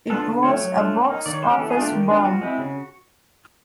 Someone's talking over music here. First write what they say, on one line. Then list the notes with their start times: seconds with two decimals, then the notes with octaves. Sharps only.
It was a box office bomb.
0.10 B3 D4 F4 A4
0.26 D3
0.43 F3 A3 C#5
0.60 F#3
0.77 A3 D4 F4
0.93 G3
1.09 A#3 D#4
1.26 D#3 D5
1.34 C#5
1.42 G#3 C#4 C5
1.51 G4
1.58 E3 A4
1.70 G#4
1.76 A3 D4 F4 G4
1.92 D#3
2.09 G3 B3 D4
2.19 F4
2.25 F3 F#4
2.41 G#3 C4 E4
2.58 C#3